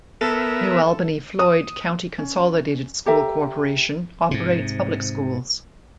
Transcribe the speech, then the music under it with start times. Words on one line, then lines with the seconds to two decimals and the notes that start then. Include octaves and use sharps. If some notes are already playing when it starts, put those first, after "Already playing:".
New Albany-Floyd County Consolidated School Corporation operates public schools.
0.21 B3 A4 A#4 E5
1.39 D#6
2.18 C#4
3.06 G4 A4 E5 A#5
4.31 G#2 C3